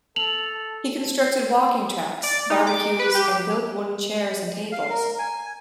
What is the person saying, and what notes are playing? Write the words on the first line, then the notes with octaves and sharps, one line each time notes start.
He constructed walking tracks, barbecues and built wooden chairs and tables.
A4 F7 F#7
D5
D#4
D6
B4
G4
F5
A#4
G#5